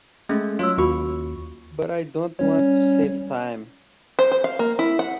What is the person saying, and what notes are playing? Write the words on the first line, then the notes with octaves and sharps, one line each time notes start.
But I don't want to save time.
G#3 A3 C#4
F#3 F4 C#5 E6
D#2 F4 F#4 B5 C#6
G3 C#4 C#5
C5
C5
F5
A#3
E4
F#5